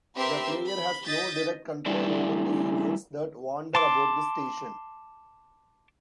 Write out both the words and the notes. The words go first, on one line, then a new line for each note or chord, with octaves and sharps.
The player has no direct control over the aliens that wander about the station.
C4 G4 A#4 B4 E5 C6
B5
D#5 G6 A6 B6
G3 A3 D4 E4 D5
A5 C6 D6